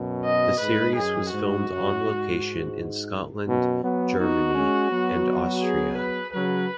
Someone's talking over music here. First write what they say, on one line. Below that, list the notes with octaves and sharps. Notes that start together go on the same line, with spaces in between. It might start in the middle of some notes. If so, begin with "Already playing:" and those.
The series was filmed on location in Scotland, Germany and Austria.
Already playing: F#2 B2
D#5
G#2 B4
F#2 G#4
G#2 F#4
F#2
G#2
F#2 B2
F#3 B3
B3 D#4 F#4
G#3 C#4
F#3 B3
G#4
B4
C#3 F#3 B4